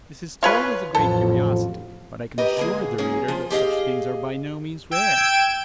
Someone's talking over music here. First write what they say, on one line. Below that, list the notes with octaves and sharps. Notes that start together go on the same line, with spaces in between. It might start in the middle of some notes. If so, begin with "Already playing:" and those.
This is told as a great curiosity; but I can assure the reader that such things are by no means rare.
F4 B4 C#5 C#6
A1 F2 F3 A4
G4 A#4 B4 D#5
D3 A#3 G#4
F#3 A#3 C#4 G#4
F3 F4
G4 G#4 D#5 F5
G5 E6 G6 G#6 D7 E7